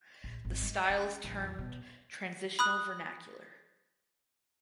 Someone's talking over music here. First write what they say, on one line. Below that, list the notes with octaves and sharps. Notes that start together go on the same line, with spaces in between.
The style is termed "transitional vernacular".
A#1
G#1
G#3
C#4
A#1
E2
B2
B5 D#6 F#6